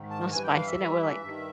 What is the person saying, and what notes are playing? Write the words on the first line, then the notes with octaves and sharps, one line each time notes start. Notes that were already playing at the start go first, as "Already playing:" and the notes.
no spice in it, we're like,
Already playing: G#2 D#3
A5
G2 E3 G#5
G5
F5
E5
G2 E3
G2 D#3